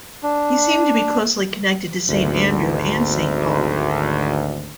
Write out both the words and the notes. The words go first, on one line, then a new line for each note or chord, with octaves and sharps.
He seemed to be closely connected to Saint Andrew and Saint Paul.
D4
G#1 D2